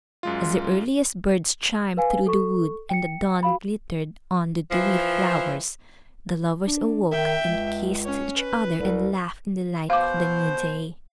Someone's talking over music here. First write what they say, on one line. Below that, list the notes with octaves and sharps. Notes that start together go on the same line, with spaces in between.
As the earliest birds chimed through the wood, and the dawn glittered on the dewy flowers, the lovers awoke and kissed each other and laughed in the light of the new day.
F#2 G#3 F4
B4 F5 G#5
A4 C#6
G5 C#7
F#4 F5 B5
E3 F3
D4
D#3 E5 G5
C#2
C#4 C#5
B4
C2
B2 C5 F5 D6